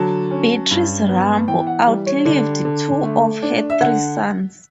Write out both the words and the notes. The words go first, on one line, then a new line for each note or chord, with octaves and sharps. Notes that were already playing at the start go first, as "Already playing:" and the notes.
Beatrice Rambo outlived two of her three sons.
Already playing: D3 F#3 A5
C#4
G2
B3
E3 G5
F#5
G3
C#5
D3 D5
D3
A3
D4
E5
D3 F#5